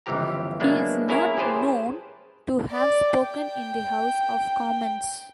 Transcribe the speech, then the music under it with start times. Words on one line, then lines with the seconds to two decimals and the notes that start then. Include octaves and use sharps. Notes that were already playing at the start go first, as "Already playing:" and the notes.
He is not known to have spoken in the House of Commons.
0.06 G1 C#2 E3 F3 G4 A#5
0.60 F#3 G#3 A#3 B3 D4 E4
1.08 A#3 C#4 E4 G#4 A#4 C#5
1.37 C#4 G4 G#4 B4 C5 A5
2.71 D5
3.14 G5